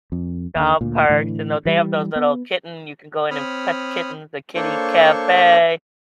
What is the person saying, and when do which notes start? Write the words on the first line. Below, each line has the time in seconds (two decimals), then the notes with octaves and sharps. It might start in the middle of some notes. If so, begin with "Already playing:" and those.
Dog parks, you know, they have those little kitten, you can go in and pet the kitten, the kitty cafe
0.12 F2
0.56 D#2 D3
0.81 D2 A#2
1.09 A2 D3 E3
1.65 E3 G3
2.16 B3
3.31 C4 C#5 B5 D#6 F6
4.55 A#3 D4 A4 C5 C#5 C#6